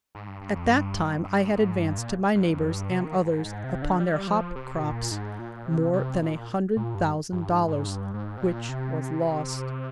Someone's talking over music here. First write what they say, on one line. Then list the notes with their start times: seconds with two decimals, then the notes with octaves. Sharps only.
At that time I had advanced to my neighbors and others upon their hop crops more than a hundred thousand dollars, which was lost.
0.15 G#2
0.28 G2
0.41 G2
0.55 F2
0.70 G2
1.24 G2
1.53 G#2
1.80 G2
1.98 A#2
2.35 G2
2.54 F2
2.71 G2
2.90 C3
3.04 D#3
3.17 G#2
3.31 G#2
3.45 G#2
3.64 C3
3.82 D3
4.00 G3
4.27 F3
4.56 C3
4.83 A#2
5.11 G#2
5.39 A#2
5.65 C3
5.93 C3
6.22 A#2
6.77 A#2
6.95 G2
7.32 G2
7.51 G#2
7.68 G#2
7.87 G2
8.14 G#2
8.37 C3
8.41 A#2
8.69 C3